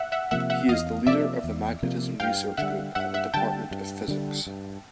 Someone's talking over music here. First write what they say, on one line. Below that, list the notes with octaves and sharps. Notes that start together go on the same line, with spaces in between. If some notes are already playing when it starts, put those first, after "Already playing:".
He is the leader of the magnetism research group at the Department of Physics.
Already playing: E5 F#5
E5 F#5
C3 F3 A#3 E5 F#5
E5 F#5
E2 D#5 F5
C3 F3 A#3 D5 E5
E2
C3 F3 A#3
G2 F5 G5
D3 G3 E5 F#5
G2 E5 F#5
E5 F#5
D3 G3 G5 A5
G2
D3 G3
G2